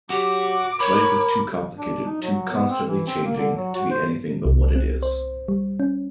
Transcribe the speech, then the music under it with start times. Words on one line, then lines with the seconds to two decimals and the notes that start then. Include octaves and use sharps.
Life is too complicated, too constantly changing, to be anything but what it is.
0.10 F#3 F#4 G4 D6
0.80 A#4 C#5 B5
1.76 D4
2.05 D#4
2.22 F#3
2.51 B3
2.70 C4
2.86 E3
3.07 C4
3.24 A#3
3.37 D3
3.55 F#3
3.74 F#4
3.91 C5
4.45 C2
4.76 C4
5.03 C5
5.48 G3
5.80 C#4